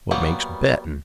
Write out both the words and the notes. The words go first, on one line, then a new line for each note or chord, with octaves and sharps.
What makes bettin'?
F#3 G3 A#3 B3